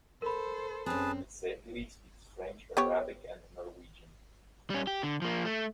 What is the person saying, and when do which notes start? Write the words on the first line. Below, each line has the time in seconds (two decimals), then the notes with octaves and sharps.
Essediri speaks French, Arabic and Norwegian.
0.22 A4 A#4 C5 B5
0.86 F#2 C4 G#4 B4 A5
2.77 B3 G4 C#5
4.70 G3 C#4
4.87 G4
5.03 D3
5.22 F3 A#3
5.45 A3